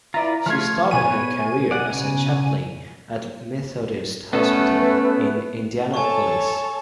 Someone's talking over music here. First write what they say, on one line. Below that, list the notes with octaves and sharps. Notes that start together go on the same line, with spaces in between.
She started her career as a chaplain at Methodist Hospital in Indianapolis.
E4 F4 B4 D5 A#5
F3 A3 F4 F6 G#6
B2 B4 C#5 G#5 D#7
D5 F#5
C#3
A3 B3 C#4 A4 B4
A4 C#5 G#5 A5 C#6